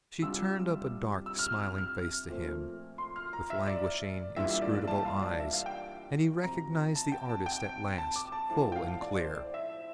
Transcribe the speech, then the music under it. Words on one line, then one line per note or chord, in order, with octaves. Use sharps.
She turned up a dark, smiling face to him, with languishing, inscrutable eyes, and he recognized the artist at last, full and clear.
C3 G3 D4 F4 E6
E6
F6
F6
F6
F6
A#2 F3 A3 C4
C6
F6
A#5
E5
D5
E3 G3 A#3 D4 F4 E5
E5
D5
D5
A5
F5
D5
E5
F5
G5
C3 F3 C4 A#5
A5
G5
A5
G5
A5
D6
A5
A2 F3 A3 C4 E4 A5
G5
F5
D5
C5
D5
E5